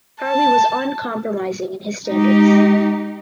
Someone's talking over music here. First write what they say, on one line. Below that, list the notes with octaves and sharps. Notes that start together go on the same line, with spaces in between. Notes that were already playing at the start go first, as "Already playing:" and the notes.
Harvey was uncompromising in his standards.
A5
G#3 D#4 G4